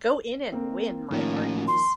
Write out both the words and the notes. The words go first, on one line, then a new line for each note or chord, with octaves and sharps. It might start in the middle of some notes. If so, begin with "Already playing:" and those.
Go in and win, my hearties!
A#3 C4
A2 D#3 F3 A#3 C#4
C6